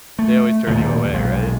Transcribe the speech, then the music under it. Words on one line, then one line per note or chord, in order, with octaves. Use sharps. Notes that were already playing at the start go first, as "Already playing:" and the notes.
They always turn you away, right?
A3
D#2 A#2 D3 F3
B1 G#3